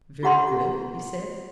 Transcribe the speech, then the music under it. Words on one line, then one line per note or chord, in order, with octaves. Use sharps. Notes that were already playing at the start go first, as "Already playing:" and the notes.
Very good, he said.
F4 G4 F#5 A#5 C6